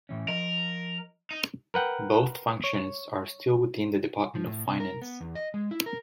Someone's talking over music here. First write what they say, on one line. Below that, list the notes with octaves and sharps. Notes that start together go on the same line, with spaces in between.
Both functions are still within the Department of Finance.
A2 E3 C#4
F3 A#4 D#5
D#4
A#4 B4 F#5 G5
C#5
F3
A2
C3
A#4
B3
E2
D#5
G#3
E4
A#4